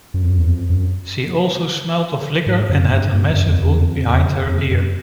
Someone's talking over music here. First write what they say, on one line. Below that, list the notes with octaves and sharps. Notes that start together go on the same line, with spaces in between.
She also smelled of liquor and had a massive wound behind her ear.
F#2
F2
F#2
E2
F2
F#2
G#2
F#2
G2
G2
F#2
F2
F2
E2
F2
F2
F2
F#2